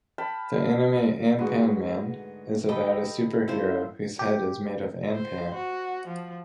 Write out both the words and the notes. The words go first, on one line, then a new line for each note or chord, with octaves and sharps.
The anime "Anpanman" is about a superhero whose head is made of anpan.
F5 G5 A5 B5
D2 G#2 A3 D4 F#4 G#4 B4
G4 A4 D#5 G5 B5
G3 C4 E4 F4 A4 C5
G4
C5
F#4
F3